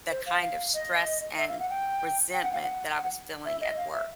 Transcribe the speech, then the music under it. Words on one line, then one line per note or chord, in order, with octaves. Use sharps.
the kind of stress and resentment that I was feeling at work.
C5
F5
F5
D#5
E5
F5
F#5
G5
G5
F#5
F5
F#5
E5
D#5
F5
E5